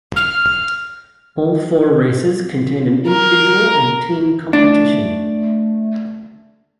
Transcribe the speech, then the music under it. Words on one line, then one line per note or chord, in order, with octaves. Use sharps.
All four races contain an individual and team competition.
F6
A#4
A3 D4